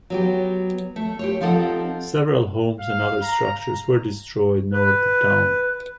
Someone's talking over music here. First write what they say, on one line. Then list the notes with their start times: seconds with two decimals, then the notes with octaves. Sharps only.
Several homes and other structures were destroyed north of town.
0.10 F#3 B3 G4
0.96 A3
1.19 G4 C5 C#5
1.41 F3 C4 D#4 A4 F5 F#5
2.80 F5
3.22 A#5
4.73 B4